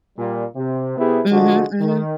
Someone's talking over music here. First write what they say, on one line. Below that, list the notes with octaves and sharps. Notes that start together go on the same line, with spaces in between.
Mhm, mhm.
A#2 G3
C3
C3 B3 C4 E4 G4 G#4
D3 F3 G#3 F#4
D#3